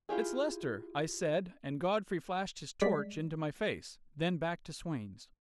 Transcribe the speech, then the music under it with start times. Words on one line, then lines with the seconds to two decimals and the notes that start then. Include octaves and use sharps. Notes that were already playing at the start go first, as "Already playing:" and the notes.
"It's Lester," I said, and Godfrey flashed his torch into my face, then back to Swain's.
0.09 E4 F4 G4 G#4
2.81 G3 G#3 D5 B6